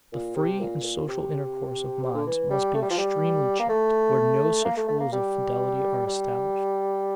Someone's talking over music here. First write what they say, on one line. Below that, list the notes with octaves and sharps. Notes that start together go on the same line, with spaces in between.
The free and social intercourse of minds must be extremely checked, where no such rules of fidelity are established.
A#2
C3
A#2
A#2
C3
C3
D3
E3
G3
A3
G3
F3
G3
A#3
A3
A#3
A3
A3
A#3
G3
G3